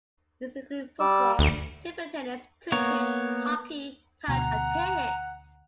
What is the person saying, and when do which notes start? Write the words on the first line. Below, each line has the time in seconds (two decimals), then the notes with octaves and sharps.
These include football, table tennis, cricket, hockey, touch and tennis.
1.00 G3 D5 E6
1.39 D2
2.72 A#3 B3 C#5
4.28 D2 B2 F#5 A#5